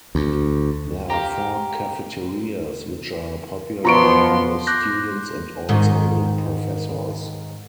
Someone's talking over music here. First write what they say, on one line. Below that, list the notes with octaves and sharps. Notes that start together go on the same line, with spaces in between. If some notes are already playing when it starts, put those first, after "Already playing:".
There are four cafeterias which are popular among the students and also the professors.
D2
G4 F5 A#5
B2 F3 B3 F4 A#5 C6 C#6 D7
C6 D6 F#6 G6 A#6
G#2 D#3